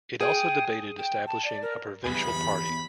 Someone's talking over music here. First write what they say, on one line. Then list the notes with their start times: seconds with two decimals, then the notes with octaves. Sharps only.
It also debated establishing a provincial party.
0.21 G#4 G5 D#6
0.98 G5
1.27 A5
1.45 D5
1.63 A#4
2.04 E2 B3 G4 G#5 B5